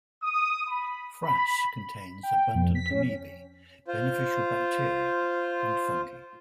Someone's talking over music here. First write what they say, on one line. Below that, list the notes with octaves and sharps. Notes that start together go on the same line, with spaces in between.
Frass contains abundant amoebae, beneficial bacteria, and fungi.
D#6
B5
B5
G5
F2
B6
C#4
F4 C5